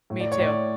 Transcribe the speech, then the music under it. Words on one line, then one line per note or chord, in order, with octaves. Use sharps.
me too,
A2
D5
C#5
A2 D5